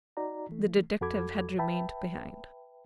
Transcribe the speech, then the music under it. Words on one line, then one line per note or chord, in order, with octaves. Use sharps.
The detective had remained behind.
D#4 F#4 D5 A#5
E3 A3
F2 F#4 A4 B5 D6 G#6
B4 E5 G5 A5 B5